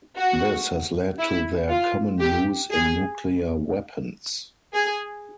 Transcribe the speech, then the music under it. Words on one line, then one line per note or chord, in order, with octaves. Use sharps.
This has led to their common use in nuclear weapons.
F#4
E4
F4
G4
G#4
G#4